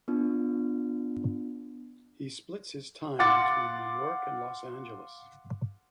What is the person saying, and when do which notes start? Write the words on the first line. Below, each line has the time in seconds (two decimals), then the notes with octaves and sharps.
He splits his time between New York and Los Angeles.
0.08 B3 D4 F4
3.19 F5 F#5 C6 D6 A6 C#7